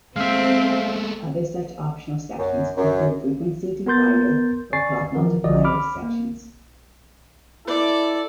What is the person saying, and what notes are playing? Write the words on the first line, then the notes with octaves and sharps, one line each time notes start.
Other such optional sections include frequency divider or clock multiplier sections.
G#3 A3 C4 E5 F5
F#2
F#2
B3 A#4 C6 G6 A6
D5 G#5 C#6 A6 C7
E3 F3 A#4
B1 D3 F3 F#4 D5 D#5
B5 D6 F6
A#3
E4 A4 D5